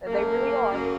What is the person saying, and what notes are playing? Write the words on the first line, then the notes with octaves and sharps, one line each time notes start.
The They really are.
F#2 C#3 A3 A#3
F#2 C#3 A3